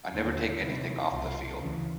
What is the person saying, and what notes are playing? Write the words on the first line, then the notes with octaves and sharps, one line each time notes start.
I never take anything off the field.
D#2 D3 F4
E2 C3 D#3 E4
C2 B2 F4
D2 C#3 E3